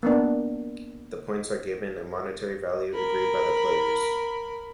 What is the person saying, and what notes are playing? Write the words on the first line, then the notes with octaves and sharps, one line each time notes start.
The points are given a monetary value agreed by the players.
A#3 B3 D4
A#4 B5